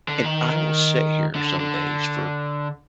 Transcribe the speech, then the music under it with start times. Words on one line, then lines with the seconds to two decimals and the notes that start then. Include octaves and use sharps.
and I will sit here some days, for
0.08 D3
0.25 D#3
1.35 D3
1.60 D3